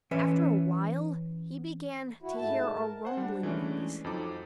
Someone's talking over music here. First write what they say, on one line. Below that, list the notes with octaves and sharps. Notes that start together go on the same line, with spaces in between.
After a while he began to hear a rumbling noise.
E3 C#4 B4 E5
E4 F#4
G#2 A3 A5
A#4
C5 F#5 G#5
G3 D4
E3 G#3 A3 C#4 D4
F2 F#3 D#4 A4 D6